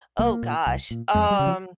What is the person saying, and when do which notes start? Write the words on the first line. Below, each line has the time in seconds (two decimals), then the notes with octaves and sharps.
Oh gosh. Um.
0.19 C2 A#3
0.43 A#2
0.66 C2
0.91 A#2
1.14 F2 G#3
1.30 G3
1.39 C#3
1.47 F3